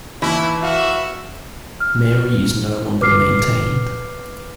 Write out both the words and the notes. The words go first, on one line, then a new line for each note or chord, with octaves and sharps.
Mary is no longer maintained.
D#2 E3 E4
F#4 E5 F5
F6
B4 D6 F6 C7